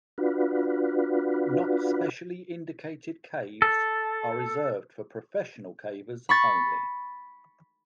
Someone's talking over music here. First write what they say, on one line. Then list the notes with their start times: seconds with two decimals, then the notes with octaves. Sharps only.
Not specially indicated caves are reserved for professional cavers only.
0.18 D4 F4 F#4 B4
3.62 A4
6.29 B5 C#6 A6